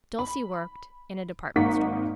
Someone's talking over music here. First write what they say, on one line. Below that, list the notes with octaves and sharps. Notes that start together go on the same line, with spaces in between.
Dulcie worked in a department store.
B5
G#1 A#3 D#4 F#5 C#6 B6